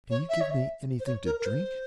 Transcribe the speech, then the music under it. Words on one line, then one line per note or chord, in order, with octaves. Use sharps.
'Can you give me anything to drink?'
C#5
E5
C#5
E5
C5
C#5
A#4
A#4
C5